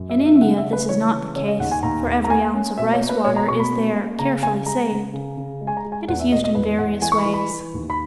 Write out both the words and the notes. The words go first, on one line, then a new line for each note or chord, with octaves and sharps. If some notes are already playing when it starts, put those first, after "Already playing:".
In India this is not the case, for every ounce of rice water is there carefully saved. It is used in various ways.
Already playing: F#2
E5
F#3 D#5
E5
E5
C#3 F#5
E5
C#3
B4
E3 C#5
C#3
C#3 C#5
D#5
D#2 F#5
G#5
D#2 A#5
D#2
A#5
A#3 G#5
C#4
B2 E5
C#5
A#3
B4
B2 C#5
A#5
B2 C#6
B5
C#4
A#3
C#3 A#5
G#3 G#5
G#3 A#5
C#3
C#3
C#3
G#3
G#5
A#5
G#3
G#5
E2 F#5
E5
B2 D#5
D#5
E2 B4
E2 F#5
E3 G#5
C#6
B5
E3
B5
E3
D#2
B5